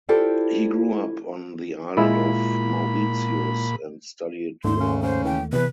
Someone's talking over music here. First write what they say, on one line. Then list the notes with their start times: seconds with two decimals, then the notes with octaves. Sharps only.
He grew up on the island of Mauritius and studied law.
0.09 E4 F4 G4 A4 C5 D5
1.97 A#2 G#3 E4 F4 B5
4.64 D#2 G#2 D3 A3 C6
4.79 C#3
5.02 C#3 C5
5.25 E3 G5
5.53 E2 C3 E3 B3 B4